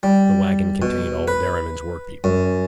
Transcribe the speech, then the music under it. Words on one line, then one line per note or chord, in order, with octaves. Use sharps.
The waggon contained all Derriman's workpeople.
G3
B2
B4
F#2